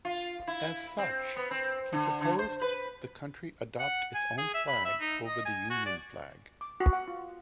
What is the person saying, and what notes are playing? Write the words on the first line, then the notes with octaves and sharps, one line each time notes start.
As such, he proposed the country adopt its own flag over the Union Flag.
F4
E4
C4
B3
C4
D3
D3
C5
B4
F#5
G#5
G#4
E5
B5
E5
D#4
D#5
G#5
F#4
D5
D6
F#4
F#5
F4